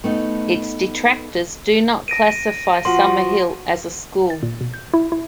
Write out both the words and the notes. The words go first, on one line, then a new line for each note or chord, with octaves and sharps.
Its detractors do not classify Summerhill as a school.
A3 B3 D#4
A#6 D7 D#7
F3 F#4 C6
A6
A#2
B2
G6
E4
E4